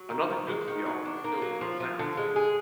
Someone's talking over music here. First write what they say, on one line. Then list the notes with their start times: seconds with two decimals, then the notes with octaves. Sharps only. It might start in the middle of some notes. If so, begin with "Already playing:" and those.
Another goods yard was built to the south.
Already playing: F#3
0.11 D#3
0.30 D#3
0.48 G#3
0.68 D#3
0.86 F#3
1.06 D4
1.24 A#3
1.42 F#3
1.61 F3
1.80 F3
1.99 D3
2.17 G#3
2.36 G#4